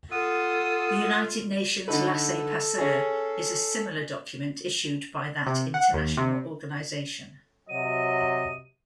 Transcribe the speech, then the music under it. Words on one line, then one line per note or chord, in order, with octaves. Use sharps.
The United Nations laissez-passer is a similar document issued by that international organization.
F4 A4 F#5 D#6 E6 D#7
D3 D#4 A4 B4
C#4 G#4
C3
F#5
D#2
C3
C3 F#3 D#5 D#7